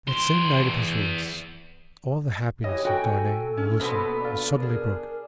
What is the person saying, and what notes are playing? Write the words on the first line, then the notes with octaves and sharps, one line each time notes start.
That same night of his release all the happiness of Darnay and Lucie was suddenly broken.
E2 C6
E3 G4 C#5 D#5
F#4 A4 G5 G#5
C#4
B2 A#3 B3 C5 D#5
D4 F4
D4 G#4 A#4